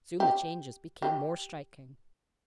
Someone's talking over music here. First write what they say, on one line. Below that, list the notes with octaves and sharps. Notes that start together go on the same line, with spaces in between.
Soon the changes became more striking.
G4
G4